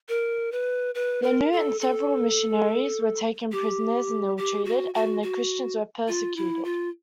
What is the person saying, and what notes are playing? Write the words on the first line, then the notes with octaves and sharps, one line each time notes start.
Laneau and several missionaries were taken prisoners and ill-treated, and the Christians were persecuted.
A#4
B4
B4
A#4
A4
A4
G4
G4
F#4
F#4
F#4
F4
E4
F4